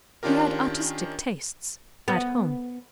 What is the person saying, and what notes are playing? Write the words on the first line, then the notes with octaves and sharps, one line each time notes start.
He had artistic tastes--at home.
D#3 C#4 D4 F4 G4 A#4
B3